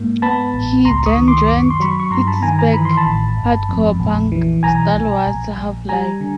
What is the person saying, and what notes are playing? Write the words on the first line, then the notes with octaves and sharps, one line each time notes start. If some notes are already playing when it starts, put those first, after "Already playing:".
He then joined Pittsburgh hardcore punk stalwarts Half Life.
Already playing: G#2 A#3
B3 A5 B5
A1
C#2 A#5 C6
C#6 D#6
D#3
C6 D6
F#2 D6
C#6
C6
F#3 B5 C#6
C#6
G2 A#5 C6
A5 B5
D#3 G#5 A#5
G#5 A#5
E3 B5
C6
A5 B5
A1
G1
F2
A#1
E3
B1 G#5 A#5
B1
A#1
A#1
G3 G#5 A#5
D3